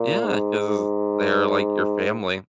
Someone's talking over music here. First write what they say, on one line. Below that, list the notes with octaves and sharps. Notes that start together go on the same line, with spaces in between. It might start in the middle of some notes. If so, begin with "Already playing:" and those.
Yeah 'cause they're like your family,
Already playing: A#2
G#2